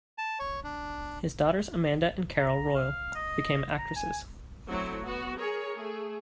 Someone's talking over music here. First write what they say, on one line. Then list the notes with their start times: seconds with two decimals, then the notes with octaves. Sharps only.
His daughters Amanda and Carol Royle became actresses.
0.18 A5
0.39 C#5
0.64 D4
2.40 A#5
2.75 F5
3.15 D#5
3.78 A#5
3.96 G#5
4.69 F#3 A3 C4 E4
5.04 B3 F#4
5.38 G#4 A#4 C#5
5.76 A3 G#4